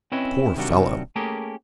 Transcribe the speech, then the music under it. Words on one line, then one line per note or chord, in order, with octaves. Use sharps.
"Poor fellow!"
C4 C#4 E4 B4 C#5 D#5
C3 D#3 F#3 G3 D4 F#4
A3 A#3 C#4 G4 G#4 A#4